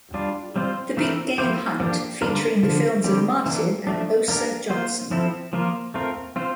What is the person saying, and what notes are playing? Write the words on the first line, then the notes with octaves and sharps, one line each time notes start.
"The Big Game Hunt" featuring the films of Martin and Osa Johnson.
G3 D4 F4
G3 C4 F4 C5
E3 A3 C4 E4 A#4
F3 A#3 E4 G4 C5
F3 A#3 D4 G4
D3 G3 D4 F4 A#4
D3 F3 A#3
D3 G3 C4 G4
E3 A#3 D4
F3 A3 D4
A#3 D4 G4 A#4
A#3 F4 C5
F3 C4 E4 A4
F3 A#3 F4 A#4
A3 C4 F4 A#4
C4 F4 C5